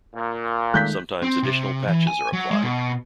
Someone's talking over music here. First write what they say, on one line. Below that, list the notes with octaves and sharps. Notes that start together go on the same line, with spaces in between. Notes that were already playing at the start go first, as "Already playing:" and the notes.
Sometimes additional patches are applied.
A#2
D#3 G#3 A3 F#6 G6 B6
C4
C3
E3
G#5
F#3
G#3
B2